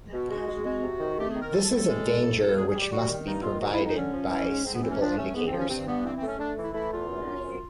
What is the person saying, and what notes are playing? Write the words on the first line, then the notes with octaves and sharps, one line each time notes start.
This is a danger which must be provided for by suitable indicators.
B2
G#3 F#4
G#3
G#3
C3
D#3
A3 G4
G#4
D#3
A#4
A2 A4
A4
A2
A4
G#3
A2
F2
F2
G3 G#4
G#4
G3
G4
G3 F#4
D#3
G2 D#4
D#3 F4
D3 F#4
E4
F2
D#4
D3 C#4
F3
E3
G#2
G#2 C4
B3
E3 C4
C#4
F3 D4
A3 C#4
G#2 B3
C4
F3
C#4
G2 C4
G2 B3
E3 C4
C4
A3
C#4
A3 D4
E3
E4
A3 E4
E2 F4
F#2
F#2
F#2